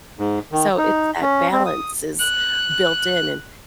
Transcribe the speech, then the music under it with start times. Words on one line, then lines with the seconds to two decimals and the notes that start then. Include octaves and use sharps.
so, it's that balance is built in and,
0.19 G#2
0.52 D#3
0.78 D#4
1.21 C#4
1.52 C4
1.66 D#6
2.19 F#6